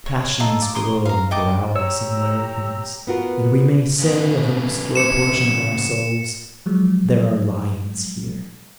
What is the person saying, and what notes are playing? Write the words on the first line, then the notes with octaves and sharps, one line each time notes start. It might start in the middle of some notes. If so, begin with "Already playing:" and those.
Passions grow and growl somewhere within us, and we may say of an obscure portion of our souls, "There are lions here."
C#5
D#4 F4 A4
D5
A#4 C6 D#6
F5 A#5
D#5 G5 A5 D6
G4 C#5 A#5 E6
B3 F4 F#4 A#4
C#3 B3
C#7 E7
F3 F#3 G#3